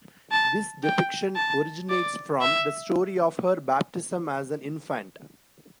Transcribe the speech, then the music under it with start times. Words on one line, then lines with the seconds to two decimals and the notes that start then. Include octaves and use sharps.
This depiction originates from the story of her baptism as an infant.
0.31 A5
0.84 G5
1.36 A5
1.89 D5
2.42 E5